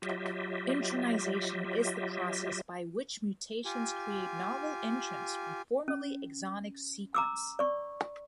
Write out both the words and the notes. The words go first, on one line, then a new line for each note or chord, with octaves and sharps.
Intronization is the process by which mutations create novel introns from formerly exonic sequence.
F#3 F4 G4 D#5 E5
F4 G4 G#5
C#4
A#5 D6 E6
D5 C#6